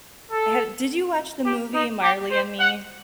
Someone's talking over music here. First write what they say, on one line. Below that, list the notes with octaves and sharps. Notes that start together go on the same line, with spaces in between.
have did you watch the movie Marley and Me?
A4
G4
D#4
G4
C5
F#5